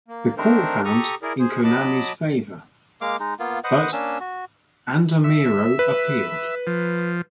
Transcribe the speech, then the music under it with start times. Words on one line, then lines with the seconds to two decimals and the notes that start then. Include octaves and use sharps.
The court found in Konami's favor, but Andamiro appealed.
0.08 A#3
0.37 A3 C4 D4 D#4 A#4 C5
0.85 G4 A4 A#5 C#6 D#6
1.23 E4 G#4 A#4 D5
1.39 G#4 C5
1.64 F#3 D#5 A5 B5 D6
3.01 G#3 A#3 F5 D6
3.20 G#3 D#4
3.39 A#3 B3 F4
3.64 B4 C5 D#5 F#5
3.92 A#3 C#4 D4 E6
4.20 F#4
5.24 E5
5.79 B4
6.67 F3